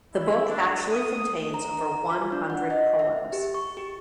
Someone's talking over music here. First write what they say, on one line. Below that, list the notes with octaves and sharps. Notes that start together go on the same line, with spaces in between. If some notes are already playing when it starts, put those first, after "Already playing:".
The book actually contains over one-hundred poems.
E4
D4
D#6
A#5
A#5
F4
D4
F#5
D#5
E5
G4
C#6
G4